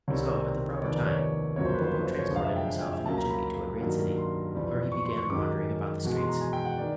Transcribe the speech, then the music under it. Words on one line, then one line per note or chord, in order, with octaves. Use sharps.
So at the proper time Popopo transported himself in a jiffy to a great city, where he began wandering about the streets.
C2 C3 D#3 G3 C4 C#5
C#5
F1 D#2 D#3 G3 B3 D5
D5
C#5
C#5
G1 F2 C#3 F#3 A#3 C#5
C5
B4
C5
B4
C5
C#5
F1 F2 D3 F3 G#3 F5
E5
G5
G5
G#5
E5
C#2 C#3 F#3 A#3 C#4 A5
A#5
B5
G2 D#3 F#3 A#3
C6
F2 C3 E3 G3
C#6
C6
C#6
F#2 D#3 G#3 C#4 D6
E2 B2 G#3
C6
A#5
G#5
G5
F#5
D#3 D5